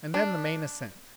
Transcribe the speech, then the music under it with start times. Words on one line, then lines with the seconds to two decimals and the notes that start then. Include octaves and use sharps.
And then the main ascent.
0.14 D4